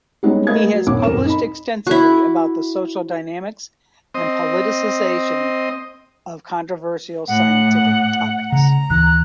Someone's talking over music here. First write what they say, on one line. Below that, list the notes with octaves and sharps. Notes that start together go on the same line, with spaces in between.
He has published extensively about the social dynamics and politicisation of controversial scientific topics.
G3 G#3 B3 C#4 D#4
A3 A#3 A#4 B4 D#5 G#6
F#3
A#1 D#2 B3 C#4 D6
D#1 F#2 C4 A#4 E7
D#4 B5
E4 F#4
C4 D#5
A2 F#5
C#3 A#5
D2 D3 E3 F#6